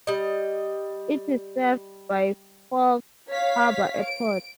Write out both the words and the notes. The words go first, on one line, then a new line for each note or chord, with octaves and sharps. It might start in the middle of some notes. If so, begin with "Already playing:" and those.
It is served by Fox Harbour Airport.
G3 D#5
C#5 F5 B6
D7